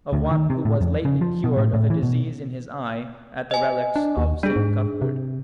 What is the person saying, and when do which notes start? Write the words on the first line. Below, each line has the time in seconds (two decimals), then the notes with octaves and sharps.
Of one who was lately cured of a disease in his eye at the relics of St. Cuthbert.
0.13 D2
0.31 D#3
0.50 C3
0.65 A2
0.81 F2
1.05 C#3
1.21 F3
1.44 B2
1.57 A2
1.73 A2
1.90 E3
2.03 B2
3.51 D#5 G#5
3.96 D4
4.17 D#2
4.43 G3 D4 G#4
4.56 G#2
5.02 C3